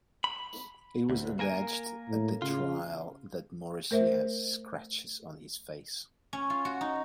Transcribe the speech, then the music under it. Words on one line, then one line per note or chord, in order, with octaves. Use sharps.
It was alleged at the trial that Morrissey had scratches on his face.
B5
D2
A#3 A#4 G#5
A2
C#3 F4
A3 A#4 C5 E5
C#4
F4
F#4
D#4